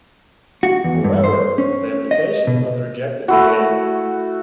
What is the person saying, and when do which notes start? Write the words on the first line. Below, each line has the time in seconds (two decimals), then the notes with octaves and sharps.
However, the application was rejected again.
0.63 F#4
0.84 E2
1.04 G2
1.24 C5
1.58 C#4
2.11 D#5
2.47 B2
3.28 A3 E4 F#4